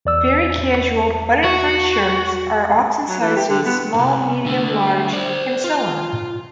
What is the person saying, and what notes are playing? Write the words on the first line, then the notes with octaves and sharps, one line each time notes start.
Very casual button-front shirts are often sized as small, medium, large, and so on.
E2 D5 E6
F#4
F#3
E3
G4
D3
B3
C2 G2
D3 A3
C5 D5
F4